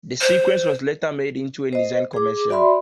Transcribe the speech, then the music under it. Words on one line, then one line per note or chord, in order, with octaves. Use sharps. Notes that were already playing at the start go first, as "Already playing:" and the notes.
The sequence was later made into a Nissan commercial.
C5
C5 D#5
G#4 D6
F#4 D5 E5 B5 C6